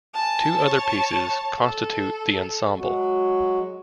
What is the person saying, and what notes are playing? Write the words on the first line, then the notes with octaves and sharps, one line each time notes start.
Two other pieces constitute the "Ensemble".
G#5 A5
C#5 A5
A4
F#3 G#3 F#4